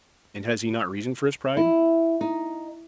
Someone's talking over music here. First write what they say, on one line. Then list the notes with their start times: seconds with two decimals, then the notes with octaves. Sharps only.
And has he not reason for his pride?
1.57 E4
2.21 D#4